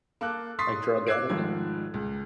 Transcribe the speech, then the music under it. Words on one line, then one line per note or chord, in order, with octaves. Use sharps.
Like, drug addicts,
A#3 A4 D6 F#6
C6 C#6 D#6 A6 B6 C7
D6 E6 F#6 G#6 C7 D7
F1 G#2 D#3 F3 G#6
C#2